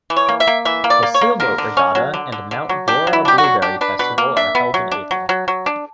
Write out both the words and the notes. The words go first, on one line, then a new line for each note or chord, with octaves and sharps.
The Sailboat Regatta and Mount Dora Blueberry Festival are held in April.
E3
C#5
A#3
E5
A#3
E3 E5
A#3
D5
A#3
C#5
A#3
D3 A#4
D3
C#4
F#3
D3
D3
D3
F#3
D4 G4
F#3
E4
D4 G4
F#4
F#3
D4 G4
D4 B4
B2 B4
A#3
D4 E5
B3
F#3
D4
F#3
F#3
F#3
D4